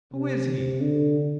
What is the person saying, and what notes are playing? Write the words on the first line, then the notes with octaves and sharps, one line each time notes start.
"Who is he?"
C3
D3